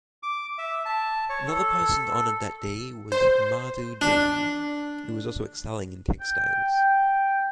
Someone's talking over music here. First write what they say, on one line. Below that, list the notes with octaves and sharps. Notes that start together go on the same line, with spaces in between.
Another person honoured that day was Madhu Jain who was also excelling in textiles.
D6
E5
A5
C#5
A4
C5
D4
G5